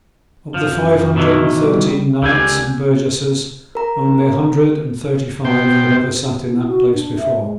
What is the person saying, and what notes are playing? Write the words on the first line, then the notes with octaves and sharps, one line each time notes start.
Of the five hundred and thirteen knights and burgesses only a hundred and thirty-five had ever sate in that place before.
F#2 F3
B2 D#3 E3
G3
C#2 D3 G4 G#5
A#4 A#5
B2 C5 G5
E4
F#4
D4
E5
G#3